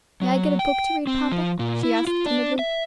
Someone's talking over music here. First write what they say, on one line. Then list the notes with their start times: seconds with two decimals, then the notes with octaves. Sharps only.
"May I get a book to read, papa?" she asked timidly.
0.22 F#3
0.59 G5
1.07 C4
1.32 F3
1.59 A#2
1.83 E4
2.07 F4
2.26 D4
2.59 E5